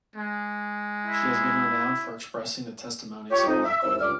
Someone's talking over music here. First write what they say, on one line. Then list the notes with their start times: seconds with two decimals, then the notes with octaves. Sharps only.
She has been renowned for expressing the testimonies of black women.
0.16 G#3
1.07 E4
3.31 F4 G4 C#5
3.47 F2 D#4
3.64 E5
3.83 D#2 C4 E4 E6
4.01 C#2 D3 G3 D6 F6